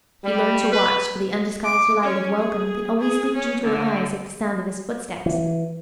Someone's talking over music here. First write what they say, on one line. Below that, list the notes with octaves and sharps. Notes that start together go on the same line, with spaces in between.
He learned to watch for the undisguised light of welcome that always leaped into her eyes at the sound of his footsteps.
G3
B4
D6
C#4
G#4
G#4
C#4
D3
E3